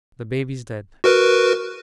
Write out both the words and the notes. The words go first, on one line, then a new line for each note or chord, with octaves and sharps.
The baby's dead.'
F#4 A#4 B4